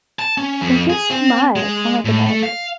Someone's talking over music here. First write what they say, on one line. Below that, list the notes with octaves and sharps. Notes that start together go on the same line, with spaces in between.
Thank you so much. Oh my goodness.
A5
C#4
F2
G#4
C4
G#3
A2
A3
F5